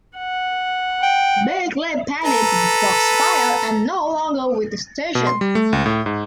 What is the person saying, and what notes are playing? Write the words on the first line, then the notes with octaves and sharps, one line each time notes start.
Big Lip Bandit was fired and no longer with the station.
F#5
G5
A4 B4 A#5
B2
C6
G3
A3
C#2
A2
G#2